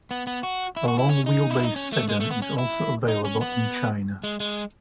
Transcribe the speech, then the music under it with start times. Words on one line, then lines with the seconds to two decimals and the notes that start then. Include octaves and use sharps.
A long wheelbase sedan is also available in China.
0.11 B3
0.27 B3
0.43 F#4
0.76 E4
0.88 F#4
0.99 E4
1.09 C#4
1.26 D#4
1.51 E4
1.63 D#4
1.76 C#4
1.92 A3
2.09 G#3
2.20 A3
2.31 B3
2.42 C#4
2.58 E4
3.08 D#4
3.25 C#4
3.41 B3
4.24 G#3
4.40 G#3